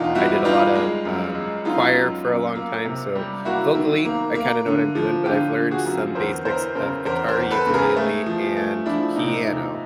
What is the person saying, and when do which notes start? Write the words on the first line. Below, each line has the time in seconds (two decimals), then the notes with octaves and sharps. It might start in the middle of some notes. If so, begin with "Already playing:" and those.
I did a lot of, um, choir for a long time, so, vocally, I kinda know what I'm doing, but I've learned some basics of guitar, ukulele, and piano.
Already playing: E2 B2 A#3 D4 D#4 F4
0.15 G3 E4 F#4
0.44 G3 D#4 F4
0.75 G#3
1.05 F#2
1.35 G#3
1.65 F#2 D#4 F4
1.95 F#2
2.26 F#2
2.55 A#3
2.85 C3
3.15 G3
3.45 A#3 E4 F#4
3.75 D#3
4.05 A#3
4.35 A#3
4.66 D3
4.95 F3
5.25 D3 F4 G4
5.56 D3
5.71 F#4 G#4
5.86 F#2
6.15 E2 A#4 C5
6.45 E3 A#4 C5
6.75 C#3 A#4 C5
7.05 E2 A#4 C5
7.28 A#4 C5
7.36 E2
7.51 A4 B4
7.67 C#3
7.74 G#4 A#4
7.96 A3
8.26 F3
8.57 A3
8.86 F3 D4 E4
9.16 C3 D#4
9.46 C3 D#4